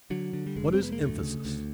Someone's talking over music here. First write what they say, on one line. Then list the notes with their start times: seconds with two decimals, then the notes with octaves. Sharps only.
What is emphasis?
0.10 D3 F#3
0.33 D3
0.46 G3
0.56 F1 G#3
0.73 C4
0.78 F1 B3
0.92 A#3
1.01 D2 A3
1.23 C#3
1.45 D2